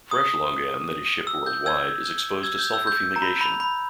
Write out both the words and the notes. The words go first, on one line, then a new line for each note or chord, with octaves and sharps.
Fresh longan that is shipped worldwide is exposed to sulfur fumigation.
D#6
E6
G6
E6 G#6
E6 G#6
G6
E6
G6
A#5
B5
B5
B5